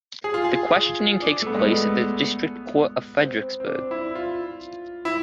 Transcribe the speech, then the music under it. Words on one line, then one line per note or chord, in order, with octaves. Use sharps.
The questioning takes place at the District Court of Frederiksberg.
G#4
F4
G#4
D4
A3
B3
G#3
A3
B3
C4
C4
D4
E4
F4
E4